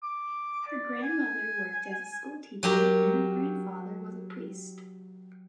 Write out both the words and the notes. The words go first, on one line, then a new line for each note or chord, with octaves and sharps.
Her grandmother worked as a schoolteacher and her grandfather was a priest.
D6
D5
G#5
F#3 G4 A#4